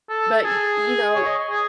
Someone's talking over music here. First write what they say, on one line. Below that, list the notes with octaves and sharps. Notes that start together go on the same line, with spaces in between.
But y you know,
A4
A4
G#4
C#5
D#5
G#4